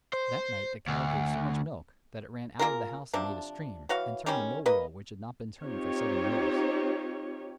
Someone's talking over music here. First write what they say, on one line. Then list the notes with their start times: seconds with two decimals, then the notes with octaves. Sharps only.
That night the cattle gave so much milk that it ran out of the house and made a stream, and turned a mill wheel which had not been turned for seven years!
0.14 C5
0.88 D2
2.59 A#3 F4 G#4 A#4
3.13 C3 F3 D4
3.89 E3 F#4 C#5 F5
4.26 D#3 G3 G#3 C#4
4.66 A#3 B4 D#5
5.63 C4 D#4 F4 G4 C#5